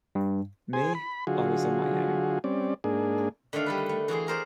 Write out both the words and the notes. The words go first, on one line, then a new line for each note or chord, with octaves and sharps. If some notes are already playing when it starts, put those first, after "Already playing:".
Me, I was on my own.
G2
G#4 C5 G#5
B5
D3 F#3 F4 F#4 G#4
G3 C4 C#4 D5
G#2 A#3 D4 G#4
D3 D#3 A3 D5 F5
G3 A4 B4
A3
E3 F#4 G#4 C6
F#4 A#4 C5 D5